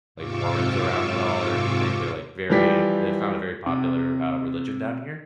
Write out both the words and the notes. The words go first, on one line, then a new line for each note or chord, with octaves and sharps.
like Mormons around at all or anything, they're like very it's not a very popular, uh, religion down here.
G#2 C3 F4 C#6 D6 E6
E3 F3 G3 G4 B6
C3